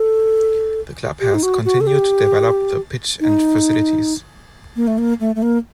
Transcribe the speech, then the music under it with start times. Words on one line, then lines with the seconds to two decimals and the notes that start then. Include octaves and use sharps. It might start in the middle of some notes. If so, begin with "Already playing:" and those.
The Club has continued to develop the pitch and facilities.
Already playing: A4
1.20 G4
1.34 D#4
1.43 F#4
1.65 F#4
1.81 A4
1.87 G4
3.20 D#4
4.76 A#3
4.87 A3
4.98 A#3
5.20 A3
5.36 A3
5.42 A#3